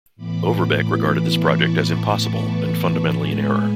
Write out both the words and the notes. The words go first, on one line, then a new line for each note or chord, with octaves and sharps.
Overbeck regarded this project as impossible and fundamentally in error.
A2 E3 B3 B5 D6
B5 D6
A5 C#6
A2 G#3 B3 G#5 B5